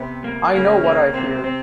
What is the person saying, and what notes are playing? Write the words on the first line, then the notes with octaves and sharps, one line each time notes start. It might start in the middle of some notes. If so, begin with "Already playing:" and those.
I know what I hear.
Already playing: C3 B3
A#3
C#3 A#3
A#3
C3 C4
C4